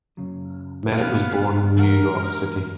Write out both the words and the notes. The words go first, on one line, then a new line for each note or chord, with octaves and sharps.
Merritt was born in New York City.
F#2 C#3 F#3
B3 F5
E3 G#3 A#4 F#5